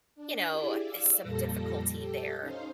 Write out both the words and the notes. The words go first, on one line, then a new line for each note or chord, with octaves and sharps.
you know, some difficulty there
D4
E4 G4 G#4 D5
D5 F5 E6
F2 A#2 G3 A4 A#6
G4 A4
C#4 D#4 C5 F5